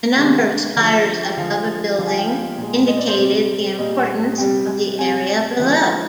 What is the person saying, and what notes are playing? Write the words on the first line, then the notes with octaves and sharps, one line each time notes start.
The number of spires above a building indicated the importance of the area below.
C3 D#3 G#3 F5
D3 F3 G#3
G5
D3 F3 G#3 F5
D3 F3 G#3 F5
G#5
G5
F5
A#2 G#3
D#5
D5
C5
C3 G3 D5
A#2 G3 D#5
C3 G3 G5
C3 G3 G#5
D3 F3 G#3